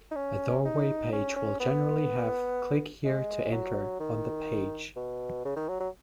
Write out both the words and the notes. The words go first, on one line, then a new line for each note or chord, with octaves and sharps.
A doorway page will generally have "click here to enter" on the page.
D#4
C#4
D#4
C#4
C#4
B3
G#3
F#3
D#3
B2
C#3
D#3
F#3
F#3